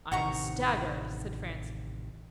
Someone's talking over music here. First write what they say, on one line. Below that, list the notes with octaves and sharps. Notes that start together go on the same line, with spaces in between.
"I am staggered," said Francis.
A1 C3 D#3 F#5 A#5 C#6